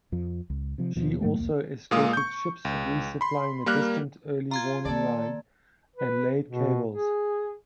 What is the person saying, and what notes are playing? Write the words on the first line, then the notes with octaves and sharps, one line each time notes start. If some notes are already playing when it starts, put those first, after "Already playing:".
She also escorted ships re-supplying the Distant Early Warning Line and laid cables.
F2 F3
C#2
C3 F3
D#2 B2 F3
G#2 F#3 A3 A#3
B1 E2 A#3
A#2 G#3 A#3 F5 D#6
C#6 G6
C#2
B5 C6
G3 A#3 A#4 F6 F#6
F4 A#5 C6 G#6
D#3 A#3 A4 D5
B4
B2
G#4